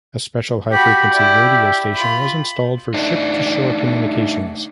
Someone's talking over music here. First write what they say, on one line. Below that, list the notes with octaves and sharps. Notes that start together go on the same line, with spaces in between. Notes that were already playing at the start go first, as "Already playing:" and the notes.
A special high frequency radio station was installed for ship-to-shore communications.
F#4 G4 B5
E4 D5
F4 B5
A3 D4 D#4